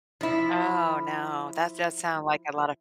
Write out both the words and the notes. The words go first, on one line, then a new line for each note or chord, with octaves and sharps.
Oh, no. That does sound like a lot of
F3 E4